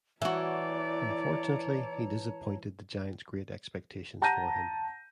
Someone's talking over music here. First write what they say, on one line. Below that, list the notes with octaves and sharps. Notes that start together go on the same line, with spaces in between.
Unfortunately, he disappointed the Giants' great expectations for him.
E3 E4 F#4 C#5 D5 A5 A#5
F#5 A5 A#5 G6 A#6 D#7